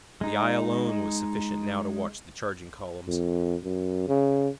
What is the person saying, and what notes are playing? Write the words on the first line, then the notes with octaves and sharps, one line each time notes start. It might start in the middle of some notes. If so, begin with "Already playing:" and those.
The eye alone was sufficient now to watch the charging columns.
G#3 D#4
F2
F#2
C#3